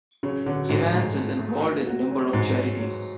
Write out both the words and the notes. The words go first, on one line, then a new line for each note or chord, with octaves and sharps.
Evans is involved in a number of charities.
C#3 F#3
D3 F#3
G#2 F#4
G#2 A3
A3
A3
F#4
F#4
F#3
G#2 F#4
F#3
F#3